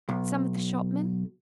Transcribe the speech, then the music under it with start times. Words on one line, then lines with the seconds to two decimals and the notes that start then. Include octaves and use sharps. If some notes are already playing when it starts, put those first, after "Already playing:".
Some of the shopmen?'
0.09 B1